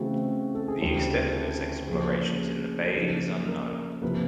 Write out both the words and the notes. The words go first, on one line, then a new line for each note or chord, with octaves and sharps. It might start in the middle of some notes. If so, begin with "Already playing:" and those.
The extent of his explorations in the bay is unknown.
Already playing: C#3 E3 A3 C4 F#4
A4
G#4
D2 C#3 E3 G3 C4 G4
C#3 F3 A#3 C#4 G#4
C#3 F3 A#3 D#4 A4
A#4
C3 F3 A#3 B4